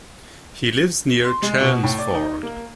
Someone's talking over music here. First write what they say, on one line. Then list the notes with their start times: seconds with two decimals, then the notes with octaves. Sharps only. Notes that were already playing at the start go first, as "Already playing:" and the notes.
He lives near Chelmsford.
1.24 C6
1.42 G#3
1.60 B2
1.83 A2
1.98 D5
2.14 D#4
2.43 A#3